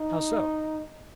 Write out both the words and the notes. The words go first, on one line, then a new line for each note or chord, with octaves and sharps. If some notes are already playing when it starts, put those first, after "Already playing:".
"How so?"
Already playing: D#4